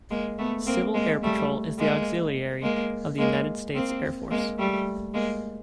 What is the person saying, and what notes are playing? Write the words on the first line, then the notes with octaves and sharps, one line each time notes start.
Civil Air Patrol is the Auxiliary of the United States Air Force.
G#3 A#3
A3 B3
A#3 C4
G#3 A#3
G3 A3
G#3 A#3
G#3 A#3
G#3 A#3
A#3 C4
G#3 A#3
G3 A3
G#3 A#3